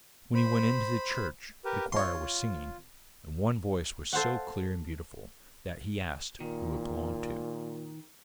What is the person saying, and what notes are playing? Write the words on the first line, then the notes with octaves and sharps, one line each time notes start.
When he went into the church the choir was singing, and one voice was so clear and beautiful, that he asked who it belonged to.
C5 B5
G4 A#4 B4
F4 C#5 C6
A4 C5 F5 F#5
A#2 D#3